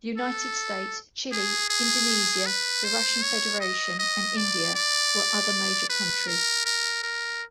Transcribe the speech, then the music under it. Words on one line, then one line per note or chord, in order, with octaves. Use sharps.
The United States, Chile, Indonesia, the Russian Federation and India were other major countries.
A4
G#4
G#4
B4
C5
C#5
D#5
D#5
D5
D5
B4
A#4
A#4
A#4